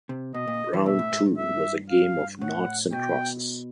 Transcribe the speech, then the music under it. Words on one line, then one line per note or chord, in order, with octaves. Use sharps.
Round two was a game of noughts and crosses.
C3
B2 D#5
A#2
E3
B2 E5
A2
G#2
G2
E5
F5
A2 F#5
B2 G5